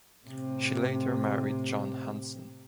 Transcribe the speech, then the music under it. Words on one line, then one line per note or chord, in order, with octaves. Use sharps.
She later married John Hansen.
A2 C3